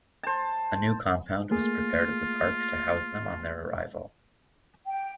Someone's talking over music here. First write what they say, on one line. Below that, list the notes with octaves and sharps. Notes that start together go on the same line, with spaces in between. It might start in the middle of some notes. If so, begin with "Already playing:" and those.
A new compound was prepared at the park to house them on their arrival.
C5 A5
A3 A#3 F4 G#4
G5